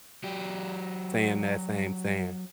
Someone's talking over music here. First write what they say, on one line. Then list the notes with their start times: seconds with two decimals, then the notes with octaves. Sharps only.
saying that same saying,
0.24 F#3 G4